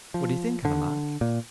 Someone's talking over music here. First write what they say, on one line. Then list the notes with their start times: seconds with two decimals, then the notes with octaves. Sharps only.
What do you think, Anna March?
0.14 F3
0.65 D3
1.21 A#2